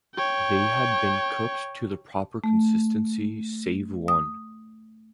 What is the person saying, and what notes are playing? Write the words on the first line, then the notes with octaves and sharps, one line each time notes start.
They had been cooked to the proper consistency save one.
C#5 G5
A3
D#6